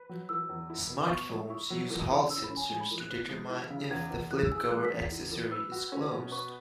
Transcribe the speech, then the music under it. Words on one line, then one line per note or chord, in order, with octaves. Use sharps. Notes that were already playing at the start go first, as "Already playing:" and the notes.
Smartphones use hall sensors to determine if the Flip Cover accessory is closed.
Already playing: B4
F#3
E3 E6
E2
E4
B2
B3 C#6
G#3
E4 C#6
F#3
E3
E3
C#4 E6
B5
C#4
G#5
G#3 G#5
B5
E3
F#6
B3 F#6
G#3
E4
C#3
E2 G#6
E2
E3 F#6
E6
G#4
E6
G#3 F#6
B6
E2
B6
E4
E3
B4 E6
F#4
C#4
B2
B4 C#6